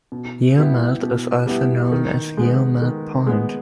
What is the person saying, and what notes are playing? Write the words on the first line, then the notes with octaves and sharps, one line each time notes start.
Yeomalt is also known as Yeomalt Point.
B2
G3 B3 E4 G4
B2
G3 B3 E4 G4
D#3
G#3 B3
D#3
G#3 B3